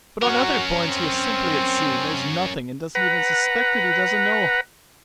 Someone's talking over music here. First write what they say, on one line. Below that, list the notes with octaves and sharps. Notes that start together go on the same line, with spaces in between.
But on other points he is simply at sea, knows nothing and doesn't even suspect that he doesn't know!
C#4 F#4 A#4
C4
B4 F#5 A#5